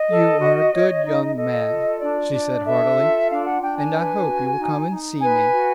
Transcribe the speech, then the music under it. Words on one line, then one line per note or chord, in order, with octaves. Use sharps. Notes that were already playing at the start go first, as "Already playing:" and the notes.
"You are a good young man," she said heartily. "And I hope you will come and see me."
Already playing: D#5
A4
F#4
C#5
D#4
A4 D#5
F4
D4 D5
D4
A4 E5
F4
D4 F5
F#5
D4 G5
G#5
B4
F#4
D#4
D#4
B4 G#5
F#4